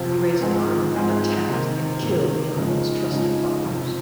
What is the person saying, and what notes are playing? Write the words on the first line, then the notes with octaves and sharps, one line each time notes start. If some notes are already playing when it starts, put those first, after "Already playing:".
He raised an army, attacked, and killed Inel and his trusted followers.
Already playing: F2 C3 F3 C4 F4
G#2 F3 G#3 C4
G#2 F3 G#3 C4
C3 D#3 A#3
C3 D#3 A#3
F2 C#3 F3 G#3 D#4
F2 C#3 F3 G#3 D#4
F2 C3 F3 C4